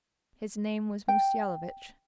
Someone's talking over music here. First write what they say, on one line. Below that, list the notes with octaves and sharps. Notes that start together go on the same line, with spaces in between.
His name was Mussyalovitch.
G5